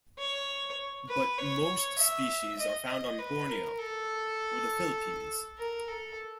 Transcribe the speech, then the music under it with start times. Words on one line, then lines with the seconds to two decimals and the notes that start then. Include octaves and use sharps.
But most species are found on Borneo or the Philippines.
0.19 C#5
1.09 B4
1.39 C#5
1.99 E5
2.59 D#5
2.88 D#5
3.19 B4
3.49 A#4
3.78 A4
5.58 A#4
5.88 A4